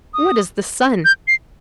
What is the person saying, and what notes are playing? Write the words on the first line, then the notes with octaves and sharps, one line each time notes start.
What is the sun?
D#6
G6
C7